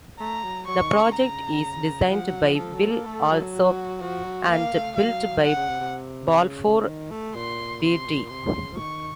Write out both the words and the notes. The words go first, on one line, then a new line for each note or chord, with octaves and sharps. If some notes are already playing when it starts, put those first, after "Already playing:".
The project is designed by Will Alsop and built by Balfour Beatty.
A3 A#5
F#3
F#3 C#6
D#3
C#3
C#3
A#5
F3 F#5
F#3
F3
F3 A4
F#3
A#3
A3
F#3
F#4
F3 F#4
F#3
A#3 F5
A3
F#3 F5
F#5
C#3
C3
C3
C#3
D#3
A3
A#2 C6
C3 C6
A#2
C3 C6
C#3
F3
D#3 C#6